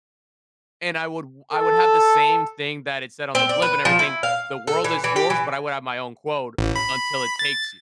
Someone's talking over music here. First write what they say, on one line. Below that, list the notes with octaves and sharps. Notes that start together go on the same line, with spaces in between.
And I would w I would have the same thing that it said on the blimp and everything, "The world is yours." But, I would have my own quote, "Until it takes you."
A4
C4
D5
B4
F3
E4
F5
A4
E3
E3
G4
E3
A1
B5
A6